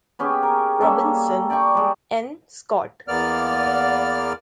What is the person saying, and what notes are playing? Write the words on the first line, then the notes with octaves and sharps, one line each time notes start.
Robinson, N. Scott.
B3 C#4 G4 G#4
A#4
G3 A#3 C#4 A4
D5 G5 C#6 D6
G3 G#3
E2 A#3 B3 D5 F6